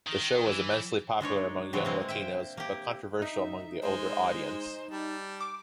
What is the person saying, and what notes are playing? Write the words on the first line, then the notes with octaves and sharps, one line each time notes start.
The show was immensely popular among young Latinos, but controversial among the older audience.
D#3
E3
G#3 D4 D#4 C#5
C3 E3 F#3 G#3
G#3 A#3 C4
E5 G5
A#3 G4
D#4 E5
G#3 C5
G3 A5
D6